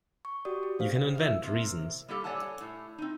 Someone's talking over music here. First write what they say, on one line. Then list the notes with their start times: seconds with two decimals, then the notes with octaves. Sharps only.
You can invent reasons.
0.25 C#6
0.45 F#4 G4 D5 D#6
0.63 G4
0.79 B3 C5 F5
1.15 E4 F5
1.43 C3 A#3
2.08 G3 A#3 G4 A4
2.24 A4 C#5 D5 F#5 G#5 A5
2.61 A2
2.98 C4 D#4